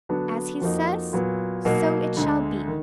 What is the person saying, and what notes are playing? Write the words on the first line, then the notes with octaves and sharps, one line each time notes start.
As he says, so it shall be.
D3 F#3 B3 D4 F#4
F2 F3 A#3 D#4 F#4
A#2 F#3 B3
B2 F#3 A#3 D#4 F#4
D2 D3 G#3
D#3